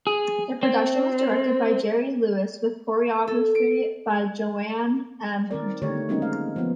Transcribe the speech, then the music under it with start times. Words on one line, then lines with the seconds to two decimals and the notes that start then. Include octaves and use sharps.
The production was directed by Jerry Lewis, with choreography by Joann M. Hunter.
0.07 G#4
0.63 C4
3.27 A4
3.55 D7
5.51 D#3 C4 A#4 D5
5.82 D3 D#3 A3 G4 C#5
6.09 F#3 G#3 A#3 C4 C#4 D#4
6.22 G#3 F5
6.56 F3 B3